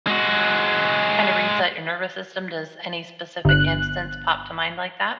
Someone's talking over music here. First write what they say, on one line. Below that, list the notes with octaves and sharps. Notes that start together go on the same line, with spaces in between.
kind of reset your nervous system? Does any specific instance pop to mind like that?
G#3 F#4
G1 F#6